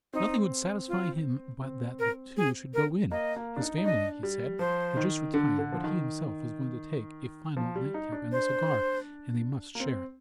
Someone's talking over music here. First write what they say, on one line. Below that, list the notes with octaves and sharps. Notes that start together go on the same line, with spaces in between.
Nothing would satisfy him but that the two should go in; his family, he said, had just retired, but he himself was going to take a final nightcap and a cigar, and they must share it.
C4 D#4
F4
C4
A#4
G#4
A#4
A#3 D#5
A#3
D4
D#4
D#4
D4 D#5
G3
F3 C5
D#3
D3
D3
F3
D#3
F3
G3
D#4
D4
C5
A#3
C4